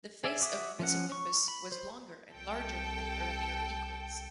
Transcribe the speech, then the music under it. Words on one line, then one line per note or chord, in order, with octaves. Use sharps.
The face of "Mesohippus" was longer and larger than earlier equids.
G#4 D5 E5
F#4 E5 D6 D#6
F3 C#4 F#5
C#6
B5
C5
C2 A4 G5